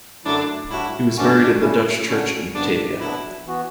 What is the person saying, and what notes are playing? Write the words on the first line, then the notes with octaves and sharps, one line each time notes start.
He was buried in the Dutch church in Batavia.
F#2 D3 F#3 A3 D4 E4
A2 G3 D4 E4 F#4
G2 E3 A3 C#4 D4 F#4
C#3 G3 C#4 E4
C#3 G3 C#4 D4 F#4
F#2 C#3 G3 B3 D4
B2 F#3 B3 D4 E4
E3 B3 F#4